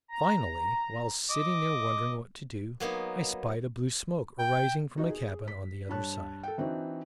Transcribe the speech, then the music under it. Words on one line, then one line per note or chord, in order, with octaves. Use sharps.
Finally, while sitting there wondering what to do, I spied a blue smoke arising from a cabin on the other side.
A#5
D#5 D6
F#3 A#3 B3 D#4
G5
D#4 F#4 D#5
G#4
B6
G2 C#5 A5 F#6
A4 G5
E3 C4 D4 D#4 F#4